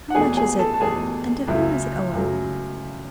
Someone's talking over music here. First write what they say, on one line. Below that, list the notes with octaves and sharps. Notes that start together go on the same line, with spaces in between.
How much is it and to whom is it owing?
F#5
E2 B2 A3 G#4 G#5
G#4 G#5
A4 A5
A5
E2 B2 A3 G#4 G#5
C#2 C#3 F#3 A3 E4 E5
C#2 C#3 F#3 A3